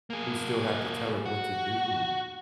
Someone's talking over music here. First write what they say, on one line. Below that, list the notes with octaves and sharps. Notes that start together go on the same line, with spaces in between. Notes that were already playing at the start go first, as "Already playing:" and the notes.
who still have to tell it what to do.
A#3 G#4
F#4